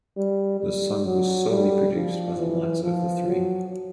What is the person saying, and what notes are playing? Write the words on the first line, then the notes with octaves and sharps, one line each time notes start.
The song was solely produced by the latter of the three.
G3
G3
F#3
G3
F3
E3
F3
F#3